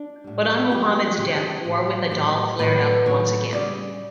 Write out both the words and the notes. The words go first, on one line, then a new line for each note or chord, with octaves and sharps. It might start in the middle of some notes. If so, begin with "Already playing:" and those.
But on Muhammad's death, war with Adal flared up once again.
Already playing: D4
A2 G3
C#3 G3 G4
C#3 G3 G4
A2 F#3
A2 F#3 G4
A2 F#3 B4
A2 F#3 C#5
C#3 G3 D5